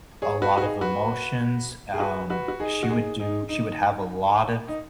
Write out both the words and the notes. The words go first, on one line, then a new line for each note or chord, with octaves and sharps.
a lot of emotions, um, she would do she would have a lot of f
G#4 C#5
F#4 B4
F#4
D#4 G#4
F#4 B4
G#4
F#4 B4
F#4 B4
F#4
D#4 G#4
F#4
D#4 G#4
D#4 G#4
D#4
D#4